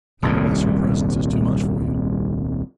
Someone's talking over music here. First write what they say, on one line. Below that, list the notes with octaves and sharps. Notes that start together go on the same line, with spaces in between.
'Not unless her presence is too much for you?'
D#1 C2 A#2